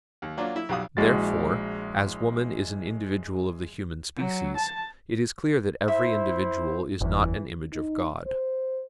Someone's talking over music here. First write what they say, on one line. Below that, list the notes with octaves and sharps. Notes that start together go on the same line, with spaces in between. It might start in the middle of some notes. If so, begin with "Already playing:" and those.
Therefore, as woman is an individual of the human species, it is clear that every individual is not an image of God.
D#2
F#3 A#3 D4 F4
E4
B1 F2 G3 F#4 F5 D#6
A#1 G#3 E4 F#4 A6
F#3
A5
E4 C5 E5
F#1 E2 E3
D#4
C5